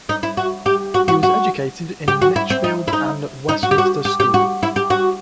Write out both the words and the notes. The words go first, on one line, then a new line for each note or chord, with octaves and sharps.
He was educated in Lichfield and at Westminster School.
D#4
E4
F#4
G4
F#4
F#4
F#4
G4
F#4
E4
C4
D#4
E4
D#4
D#4
F#4
G4
F#4
G4
G4
F#4
E4
G4
F#4